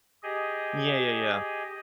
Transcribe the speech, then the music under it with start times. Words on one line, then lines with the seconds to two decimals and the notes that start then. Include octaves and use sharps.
Yeah, yeah, yeah.
0.23 G4 G#4 D#5